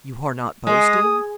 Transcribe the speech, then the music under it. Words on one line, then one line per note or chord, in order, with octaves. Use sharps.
"You are not boasting?"
G#3 D#6